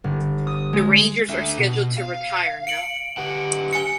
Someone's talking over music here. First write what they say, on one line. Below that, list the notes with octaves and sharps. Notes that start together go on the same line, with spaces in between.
The Rangers are scheduled to retire no.
G1
D#6
G#3
A3 D4 E5
B2
F5
C#7 D7 F#7
G4 B4 F#5
G#5 C#7